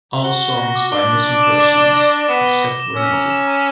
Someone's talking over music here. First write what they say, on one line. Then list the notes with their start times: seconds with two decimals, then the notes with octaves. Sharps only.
All songs by Missing Persons, except where noted.
0.24 F#4 G7
0.41 G7
0.58 A#6
0.75 D6
0.92 D4 G7
1.09 D6
1.26 D6
1.43 E7
1.60 D6
1.77 G7
1.94 A#6
2.11 D6
2.28 B3 E7
2.46 G7
2.63 A#6
2.80 E7
2.96 C#4 E6
3.13 A#5
3.30 E7
3.48 A#5